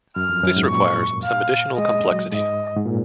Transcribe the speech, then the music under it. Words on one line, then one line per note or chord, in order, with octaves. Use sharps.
This requires some additional complexity.
F#2 F6
F2
F#2
G#2
A#2 C#6
F5
G#3 D#5
F#3
G#2 D#5
G#2
A#2